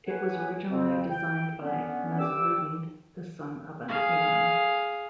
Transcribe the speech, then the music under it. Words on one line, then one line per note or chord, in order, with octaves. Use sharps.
It was originally designed by Nazaruddin, the son of an imam.
A2 F#3 B4 F#5 G#5
F2 C#3 C4
G5
D3 B3 C#4
G2 G4 D6 E6
G#4 F5